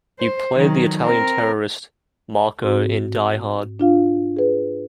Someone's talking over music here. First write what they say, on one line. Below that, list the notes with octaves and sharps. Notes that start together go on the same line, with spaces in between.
He played the Italian terrorist Marco in "Die Hard".
C5
D#3 F#3
C4 A#4
G#2 C4 F#4
D4 F4 F5
G#4 B4